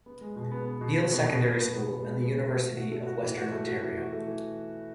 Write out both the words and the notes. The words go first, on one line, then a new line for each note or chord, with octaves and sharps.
Beal Secondary School and the University of Western Ontario.
B3
G#3
B2
B3
B3
B2
B3
B2
B2
B2
B3
B2
B3
G#3
B2
B2
A3
F#4
F#4
A3
F#4
E3
F#4
A3
F#4
E3
F#4
A3
E3